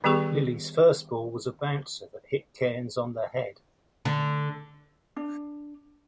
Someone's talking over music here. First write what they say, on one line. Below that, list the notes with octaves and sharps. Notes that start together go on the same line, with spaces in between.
Lillee's first ball was a bouncer that hit Cairns on the head.
D#3 G3 B3 G4 G#4 C#6
D3
D4